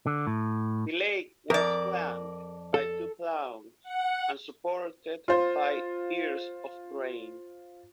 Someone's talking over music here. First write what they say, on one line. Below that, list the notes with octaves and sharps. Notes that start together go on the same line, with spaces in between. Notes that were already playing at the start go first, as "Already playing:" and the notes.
The lake was flanked by two ploughs and supported by ears of grain.
D3
A2
F2 A#4 D5
A4
F#5
F4 C5